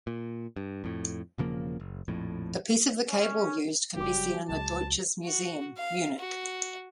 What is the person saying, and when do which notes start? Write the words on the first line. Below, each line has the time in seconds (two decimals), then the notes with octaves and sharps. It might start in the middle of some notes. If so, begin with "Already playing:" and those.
A piece of the cable used can be seen in the Deutsches Museum, Munich.
0.07 A#2
0.56 G2
0.84 F2 A2
1.38 E1 C#3 F3 A#3
1.80 F#1
2.08 A#1 F2 A2
3.08 C#4
3.96 F#1 F#3 G3 F4 G4 D6
4.49 C#2 G#3 A5
5.25 F#4
5.78 F5
6.19 F#4